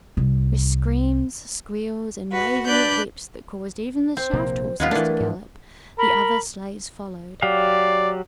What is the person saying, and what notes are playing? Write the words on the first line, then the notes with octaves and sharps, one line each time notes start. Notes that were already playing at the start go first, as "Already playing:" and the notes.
With screams squeals, and waving of whips that caused even the shaft horses to gallop--the other sleighs followed.
C2
F#4 B4
D4 B4 D5 F#6 G6
C4 C5
A#1 C3 A#3
D#2 G#3 B3 C#4 F4 D#5
E3 A3 D4 A#4
G#2
A#4 B5
F#3 G4 D5 F5